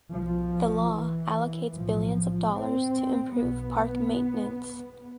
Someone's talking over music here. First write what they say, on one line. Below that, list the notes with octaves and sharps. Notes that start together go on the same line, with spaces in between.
The law allocates billions of dollars to improve park maintenance.
B1 B2 F3
E3
B1 A2 F3
C4
B1 B2 B3